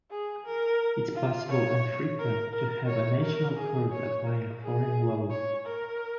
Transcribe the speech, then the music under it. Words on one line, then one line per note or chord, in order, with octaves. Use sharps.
It is possible and frequent to have a national court applying foreign law.
G#4
A#4
F4
C#5
A#4
A#4
C#5
A#4
G#4
C#5
A#4
G#4
C#5
A#4